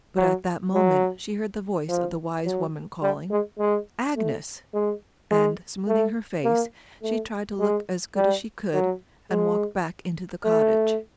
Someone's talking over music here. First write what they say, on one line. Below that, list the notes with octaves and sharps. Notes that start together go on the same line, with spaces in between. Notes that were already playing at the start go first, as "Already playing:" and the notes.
But at that moment, she heard the voice of the wise woman calling, "Agnes!" and, smoothing her face, she tried to look as good as she could, and walked back into the cottage.
F#3
F#3
F3
F#3
G3
G#3
G#3
A3
G#3
G#3
A3
A#3
A3
G#3
G3
F#3
G#3
A3